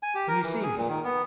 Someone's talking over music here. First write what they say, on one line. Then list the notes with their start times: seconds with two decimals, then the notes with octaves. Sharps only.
"Can you see me?"
0.03 G#5
0.15 G4
0.28 A#4
0.43 E3
0.63 G#4
0.77 A#2
0.89 D#3
1.04 B3